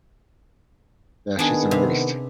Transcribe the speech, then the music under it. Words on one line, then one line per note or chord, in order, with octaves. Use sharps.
Yeah, she's an artist.
D#3 B3 D4 G#4
C3